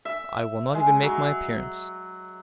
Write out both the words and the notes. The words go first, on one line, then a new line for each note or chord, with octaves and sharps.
"I will not even make my appearance."
E5
G#3
F#3